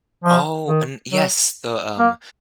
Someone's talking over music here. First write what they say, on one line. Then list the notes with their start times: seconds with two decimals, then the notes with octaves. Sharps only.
Oh, and yes. The, um,
0.24 F3
0.68 D#3
1.11 F#3
1.99 A#3